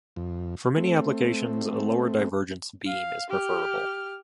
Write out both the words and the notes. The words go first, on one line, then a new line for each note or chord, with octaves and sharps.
For many applications, a lower-divergence beam is preferable.
F2
A3 C4
F5
G4 F6